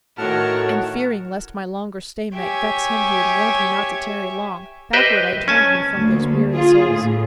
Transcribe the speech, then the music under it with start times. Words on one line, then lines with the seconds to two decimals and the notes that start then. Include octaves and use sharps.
And fearing lest my longer stay might vex Him who had warned me not to tarry long, Backward I turned me from those weary souls.
0.18 A2 D#3 F#4 A#4 C#5 F#5 A5 F6
2.33 G4 C#5 E5 G#5
4.93 G4 B4 C5 D#5 E5 G5
5.48 C#4 G#5 A5
5.97 D2 A#3
6.50 F4 G#4
6.89 A2